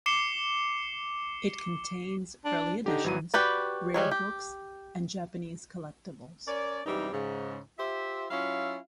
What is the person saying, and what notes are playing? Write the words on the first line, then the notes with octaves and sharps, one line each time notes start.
It contains early editions, rare books and Japanese collectibles.
D6 C7 C#7 E7 G7
D4
D3 D#4 G4
G#1 E3 F#3 D#7
F#4 G4 B4 D5
G3 G#3 C#5
G4
C#4 A#4 C#5 D5
F#2 C3 E3 G3 G#3 D#4
G#2 C#3
F4 G4 C5 E5
F#3 C#4 E4 F4 E5 F5